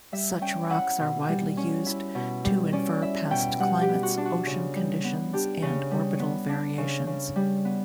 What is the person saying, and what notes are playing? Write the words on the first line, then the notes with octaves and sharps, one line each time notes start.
Such rocks are widely used to infer past climates, ocean conditions, and orbital variations.
G3 E5
C#4 G5
E4 F#5
B2
G3
C#4
E4
B2
G3
C#4 D5
E4 E5
B2 G5
G3 F#5
G4
B3
F#4
D4
F#4
C#3
G3
B3
D4 G4
C#3
G3
B3
D4
C#3
C#3
G3
B3